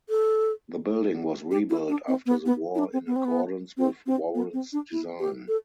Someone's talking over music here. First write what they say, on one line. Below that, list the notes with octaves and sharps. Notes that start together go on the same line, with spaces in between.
The building was rebuilt after the war in accordance with Warren's design.
A4
G4
E4
D4
C4
B3
B3
E4
D4
C4
B3
C4
B3
C4
C4
B3
C4
D4
E4
G4
A4